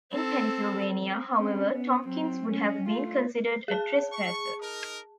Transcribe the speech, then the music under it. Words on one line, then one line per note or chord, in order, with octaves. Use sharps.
In Pennsylvania, however, Tompkins would have been considered a trespasser.
C4 A4
C4 C#4
B3
F#3 C4
C#4
A3 F4
G#4 A5
C#6
D#4 A#4